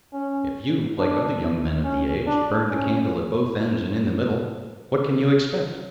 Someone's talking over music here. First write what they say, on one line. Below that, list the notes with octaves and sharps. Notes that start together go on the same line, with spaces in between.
If you, like other young men of the age, burn the candle at both ends and in the middle, what can you expect?
C#4
D4
C#4
D4
C#4